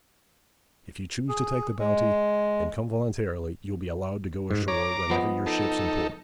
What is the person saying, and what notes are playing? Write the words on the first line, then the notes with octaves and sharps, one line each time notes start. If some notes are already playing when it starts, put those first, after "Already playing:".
If you choose to take the bounty and come voluntarily, you'll be allowed to go ashore whenever your ship's in port.
G#4
G#3
G#2
C#5 A#5 D6
F3 B3 D#5
D#4 A4